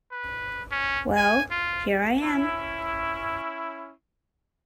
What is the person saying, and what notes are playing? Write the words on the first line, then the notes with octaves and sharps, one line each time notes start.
Well, here I am.
B4
C#4
G#5
F4
C#4 E4